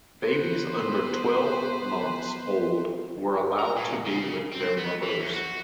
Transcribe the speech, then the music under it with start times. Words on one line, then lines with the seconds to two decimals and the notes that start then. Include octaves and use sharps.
Babies under twelve months old were allowed to be with their mothers.
0.23 B3 B4 C5
3.59 A#5
3.76 A#2
4.05 C#3
4.52 C4
4.77 B3
5.02 E3
5.19 E2
5.33 F#4